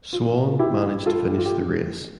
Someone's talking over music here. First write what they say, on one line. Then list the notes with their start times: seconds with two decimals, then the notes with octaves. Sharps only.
Swan managed to finish the race.
0.13 F4
0.59 E4 G4
1.06 F4 A4
1.38 F4
1.45 G4